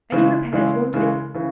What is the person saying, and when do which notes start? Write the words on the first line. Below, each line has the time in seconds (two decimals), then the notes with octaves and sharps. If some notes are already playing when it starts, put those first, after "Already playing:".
Any repairs wanted?'
0.12 C#3 E3 G#3
0.53 C#3 E3 G#3
0.94 C#3 E3 G#3
1.34 C#3 E3